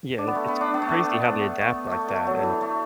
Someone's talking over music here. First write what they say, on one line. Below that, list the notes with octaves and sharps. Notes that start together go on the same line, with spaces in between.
Yeah, it's crazy how they adapt like that and
D4
B3
A3
B3
D4
B3
A3
B3
A3
A3
F#3
E3
A3